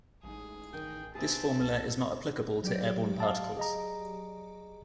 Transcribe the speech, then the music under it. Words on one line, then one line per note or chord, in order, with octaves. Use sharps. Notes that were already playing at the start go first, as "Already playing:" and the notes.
This formula is not applicable to airborne particles.
A1 G#3 D#4 G#4
D#3 D#4 G5
B2 C4 E4 G#4 B4 A5
C2 A4
F#3 G4 D5
F5 A5
G#4 D#5 A#5